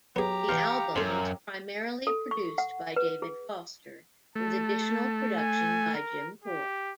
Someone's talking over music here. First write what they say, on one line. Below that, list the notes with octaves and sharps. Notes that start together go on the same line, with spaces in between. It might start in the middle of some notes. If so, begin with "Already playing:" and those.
The album was primarily produced by David Foster, with additional production by Jim Corr.
F#3 B3 G4 G#4 A#5
C3 E3 F5 G5 C#7
F#2 C4 A4
A4
C#6
F#5
B4
G#4
A3 A5
G#5
A#4
G4